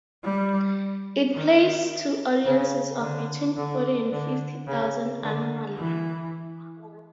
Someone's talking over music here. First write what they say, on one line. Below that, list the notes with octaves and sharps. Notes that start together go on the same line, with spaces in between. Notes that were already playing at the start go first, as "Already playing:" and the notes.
It plays to audiences of between forty and fifty thousand annually.
G3
D#3
C#3
D3
D3
D3
C#3
D3
E3